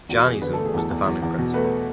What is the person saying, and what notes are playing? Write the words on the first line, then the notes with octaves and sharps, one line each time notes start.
Jann Eason was the founding Principal.
E2 F#4
E2 G#4
D3 B4
A3 A4
G#4
E2 A4
E2
E2
E2
B2
A3 B4